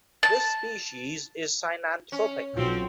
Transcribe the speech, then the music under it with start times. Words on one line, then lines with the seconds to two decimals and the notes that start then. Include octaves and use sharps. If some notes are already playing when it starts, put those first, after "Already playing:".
This species is synanthropic.
0.23 A5
2.12 C#4
2.57 B1 F3 C4 F4 F#4